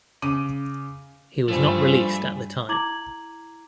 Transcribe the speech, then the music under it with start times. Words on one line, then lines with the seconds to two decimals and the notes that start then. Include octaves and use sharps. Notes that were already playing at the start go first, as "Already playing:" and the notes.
He was not released at the time.
0.22 C#3 D6 D#7
1.48 G2 F3 G3 A3 G#5 B5
2.69 E4 A#5 D6 G#6 F#7